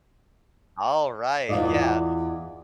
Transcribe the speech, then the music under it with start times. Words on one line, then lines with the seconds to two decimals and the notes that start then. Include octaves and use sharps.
All right, yeah.
1.49 E2 C3 F4 D5 D#5